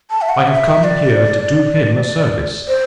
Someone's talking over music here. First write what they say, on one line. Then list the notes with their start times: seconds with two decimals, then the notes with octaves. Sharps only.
I have come here to do him a service.
0.10 A5
0.22 E5
0.29 F#5
0.47 E5
0.84 D5
2.68 C5